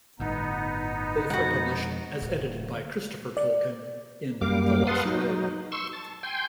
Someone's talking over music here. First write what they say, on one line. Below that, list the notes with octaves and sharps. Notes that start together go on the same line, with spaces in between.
Both are published, as edited by Christopher Tolkien, in "The Lost Road".
G1 A2 B3 D#4
F2 B2 G#3 F#4 F#5
D1
D5
F#2 G3 A#3 F5 D6
B4 F5 F#5 A5 C6 D#6
F#3 D#4
C6 C#6 E6
A5
G5 G#5 C6 G6